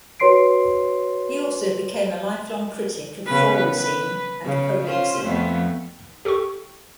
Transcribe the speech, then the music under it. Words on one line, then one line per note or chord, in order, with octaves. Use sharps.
He also became a lifelong critic of thorazine and prolyxin.
F#4 B4 C#5 C6 C7 D7
C#3 B3 B4
B4
C#3
C#4 F4 C5
F2 A3 B3
G4 A4 G5 C#6